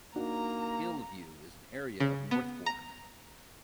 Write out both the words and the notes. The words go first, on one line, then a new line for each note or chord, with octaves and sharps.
Hill View is an area of Northbourne.
A#3 D4 D#4 F#4 A#5
C#3
B3
A#5